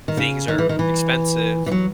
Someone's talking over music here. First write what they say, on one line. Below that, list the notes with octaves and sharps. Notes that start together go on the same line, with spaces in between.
things are expensive,
D#3
C#3
D#3
E3
D#3
E3
E3
F#3